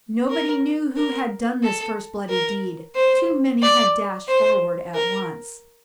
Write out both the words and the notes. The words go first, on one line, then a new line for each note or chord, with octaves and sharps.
Nobody knew who had done this first bloody deed; too many had dashed forward at once.
A#4
A#4
A4
A#4
C5
D5
C5
A#4